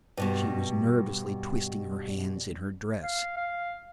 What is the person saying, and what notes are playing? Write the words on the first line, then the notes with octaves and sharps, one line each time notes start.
She was nervously twisting her hands in her dress.
G2 B2 G3
F5
F5